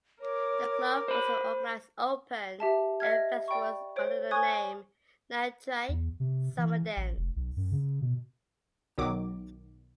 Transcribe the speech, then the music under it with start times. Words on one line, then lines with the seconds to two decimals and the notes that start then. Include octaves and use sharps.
The club also organized open air festivals under the name "Natraj Summer Dance".
0.21 A#4 C#5 D6
1.08 C5 B5
2.60 G4 E5 A5
3.00 D#5 E5 F6 G#6
3.48 D5 G5 B5 C#6
3.96 C5 C#5 D7
4.31 G#5 C#6 D#6 F#6 G#6
5.89 E2
6.20 C3
6.58 E3
6.97 A1
7.17 F1
7.36 B1
7.57 F#2
7.72 C#3
8.01 B2
8.98 B1 D#3 F#3 D6